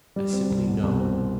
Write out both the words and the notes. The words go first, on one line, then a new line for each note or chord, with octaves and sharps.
I simply know.
G3
C4
C2
B2
C2
C4